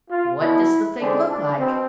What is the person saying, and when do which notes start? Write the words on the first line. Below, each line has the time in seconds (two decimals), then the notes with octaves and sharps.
"What does the thing look like?"
0.09 F4
0.39 E2 B2 B3 E4
0.99 E2 D3 G#3 C4 D4
1.28 D4
1.58 B2 C4